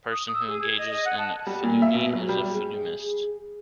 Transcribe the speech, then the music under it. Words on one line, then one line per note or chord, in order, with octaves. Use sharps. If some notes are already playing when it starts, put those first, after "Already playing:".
A person who engages in phillumeny is a "phillumenist".
D#6
E6
G#4
G#6
D#5
D#5
F#5
A5
G3
A#2
E5
B2
F#3
G3
G#4